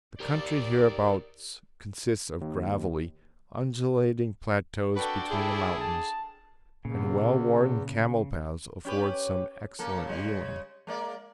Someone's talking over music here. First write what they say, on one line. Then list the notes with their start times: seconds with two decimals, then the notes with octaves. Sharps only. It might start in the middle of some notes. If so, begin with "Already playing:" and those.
The country hereabouts consists of gravelly, undulating plateaus between the mountains, and well-worn camel-paths afford some excellent wheeling.
0.20 G4 A#4 D5
2.41 D#2
4.96 D4 F#4 A4 B4 G5
5.31 E4 G#4
5.80 A5
6.85 E2 A#2 C#3
8.85 C#4 G4 B4
9.79 C#3 A#3 A4
10.07 C#3 G3 G#3
10.87 G#3 A#3 D5